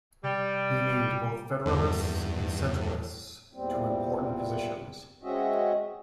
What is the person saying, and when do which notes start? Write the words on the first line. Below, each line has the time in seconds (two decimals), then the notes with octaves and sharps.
He named both federalists and centralists to important positions.
0.24 C3 G3
1.66 E2 G2
3.54 E2 A#2 G3 C4
5.23 G#3 C4 C#4 F#4 D#5 E5